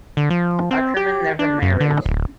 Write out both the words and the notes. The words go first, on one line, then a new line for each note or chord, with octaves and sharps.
Ackermann never married.
D3
F3
C4
G4
D4
F#2
D3
D1